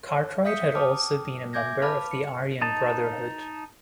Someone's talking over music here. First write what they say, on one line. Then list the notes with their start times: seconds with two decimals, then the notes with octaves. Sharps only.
Cartwright had also been a member of the Aryan Brotherhood.
0.06 C#5
0.45 E5 F5 D#6 G6 B6 C#7
0.75 G5 A5 D6 D#6 F6
1.53 E5 G#5 D6 G6 G#6 A#6
1.82 B4 F5 A5 B5 D6 F6
2.11 C#7
2.62 D#4 A5